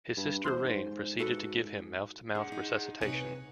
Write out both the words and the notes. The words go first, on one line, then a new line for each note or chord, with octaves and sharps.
His sister Rain proceeded to give him mouth-to-mouth resuscitation.
G2
E1 C5 C6
G#2
F#4 A4 B4
D4 G#4 F#5
D#4
C3 D#4 B4 C#5 G#5